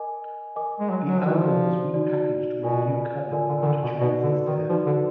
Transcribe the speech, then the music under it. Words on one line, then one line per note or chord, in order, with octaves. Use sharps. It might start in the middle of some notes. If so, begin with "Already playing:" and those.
The album was repackaged with a new cover after Charles' death.
Already playing: A#4 D#5 G#5 D6
A#4 D#5 G#5 D6
G#3
F#3
F#3
F3
D#3 D#4 F#4 D5
F3
D#4 F#4 D5
B2 F4 A#4 D5 G#5
D3 F4 A#4 D5 G#5
D3
D#3
D3
B2
B2 D#4 F#4 B4 D5
D3
D#3
F3 D#4 F#4 B4 D5
D3